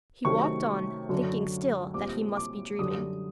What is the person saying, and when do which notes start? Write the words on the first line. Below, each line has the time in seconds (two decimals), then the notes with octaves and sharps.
He walked on, thinking still that he must be dreaming.
0.25 C3 D#3 F#3 A3 C#4 C#6
1.09 F#2 D3 F#3
1.94 A#2 G3 C4 D6
2.37 D6
2.79 F#2 D3 G3 D#6